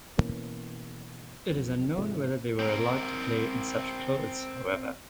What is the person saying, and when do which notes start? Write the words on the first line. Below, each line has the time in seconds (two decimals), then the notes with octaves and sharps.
It is unknown whether they were allowed to play in such clothes however.
0.18 B2 E3 A#3 C#4
1.51 B1 F2
1.98 G#2 C3 F3 A3
2.60 C4 A#4